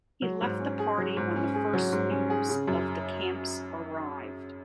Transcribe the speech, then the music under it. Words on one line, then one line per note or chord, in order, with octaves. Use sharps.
He left the party when the first news of the camps arrived.
F#3
G#2
C#4
G#4
F#3
G#2
C#4
G#4
F#3
G#2
C#4
G#4
C#3
F#2